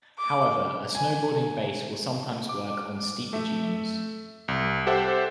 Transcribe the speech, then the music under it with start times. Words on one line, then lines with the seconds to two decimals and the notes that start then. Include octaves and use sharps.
However, a snowboarding base will sometimes work on steeper dunes.
0.19 D6
0.95 G#5
2.49 D6
3.33 A3 E5
4.48 C2
4.87 G4 A4 C5 E5 F#5